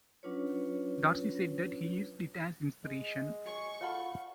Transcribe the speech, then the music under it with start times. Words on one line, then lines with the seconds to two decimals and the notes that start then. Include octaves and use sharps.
Dorsey said that he used it as inspiration.
0.23 F#3 C#4 D4 F4 B4 C#5
2.85 G#3
3.46 G#4 C#5 C#6
3.81 F4 A4 C#5 F#5 B5